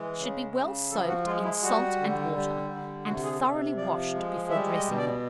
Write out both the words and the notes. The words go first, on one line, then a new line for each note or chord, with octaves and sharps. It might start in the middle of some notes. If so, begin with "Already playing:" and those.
Should be well soaked in salt and water, and thoroughly washed before dressing them.
Already playing: E3 G#3
C#3
C#3
F3 A4
F#4
G#3 F4
E4
G3 F#4
D3
G3
D3
C3 F#4
G#4
C3 A4
F3 D5
G#3
G3 E5
D#5
B2
D5